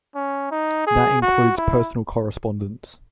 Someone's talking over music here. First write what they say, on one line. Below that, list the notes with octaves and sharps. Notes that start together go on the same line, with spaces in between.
That includes personal correspondence.
C#4
D#4
G#4
F#4
E4